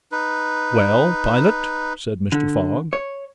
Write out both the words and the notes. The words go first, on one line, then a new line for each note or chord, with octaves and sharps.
"Well, pilot?" said Mr. Fogg.
D#4 B4
D3
C#5